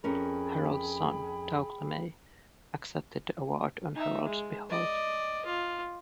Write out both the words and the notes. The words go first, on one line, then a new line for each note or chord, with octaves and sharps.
Harold's son, Doug LeMay, accepted the award on Harold's behalf.
F2 C#4 G#4 A#4 G5 B5
D#4 E5
G#3
D5 D#5
F4